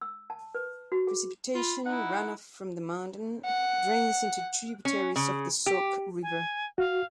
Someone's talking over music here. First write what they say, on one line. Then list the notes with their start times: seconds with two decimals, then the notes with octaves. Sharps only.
Precipitation runoff from the mountain drains into tributaries of the Sauk River.
0.01 E6
0.30 A5
0.55 B4
0.92 F#4
1.07 G#4
1.55 F4 B5
1.86 D#4 E4 F#5
3.45 F#5
4.85 C#4
5.16 C#3
5.66 G4
6.23 G#5
6.78 F#4 F5